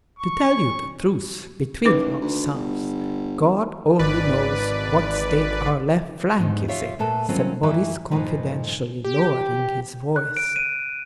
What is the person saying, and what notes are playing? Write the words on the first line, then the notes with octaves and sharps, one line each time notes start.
"To tell you the truth, between ourselves, God only knows what state our left flank is in," said Boris confidentially lowering his voice.
C#6
A1 D#4 B4 D6
D2
G1
G#1 B4 D5
E2 G#2 D4 D#4
F4 G4 C#5 E5 F5
A#2 A3 A4 B4 A5
D#3 F#3 G3 C4 C#4 F4
F#2 E3 E4 G4
D2 G2 A#2 F3 D#4 B4
G4
F#6
D7
D#7